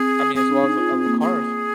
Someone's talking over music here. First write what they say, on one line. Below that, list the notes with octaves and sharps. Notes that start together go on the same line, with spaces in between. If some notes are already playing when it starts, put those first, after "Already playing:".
I mean, as well as the as the cars
Already playing: C4 G#4
C4 G#4
D4
D#4
F4
C4
A#3
G#4